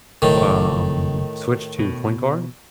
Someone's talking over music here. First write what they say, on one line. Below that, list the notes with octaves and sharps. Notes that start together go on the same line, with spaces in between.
um, switched to point guard,
F#1 A2 D#3
B2